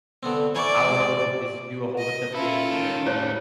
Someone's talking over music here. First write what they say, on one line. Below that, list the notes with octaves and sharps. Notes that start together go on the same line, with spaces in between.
I was able to just do a whole bunch of things, and
D3 B3 C4
E3 D5 G#5 C#6
G#2 C3
D#5
C#4 E4 F4 A4
D#3
A2 G3 E4 C5 C#5